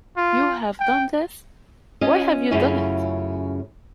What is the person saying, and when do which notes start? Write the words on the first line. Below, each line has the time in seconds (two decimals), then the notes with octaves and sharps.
You have done this? Why have you done it?
0.17 F4
0.80 G5
2.01 C#4 F4 D#5
2.51 F#2 C#3 A3 C#4 E4 F4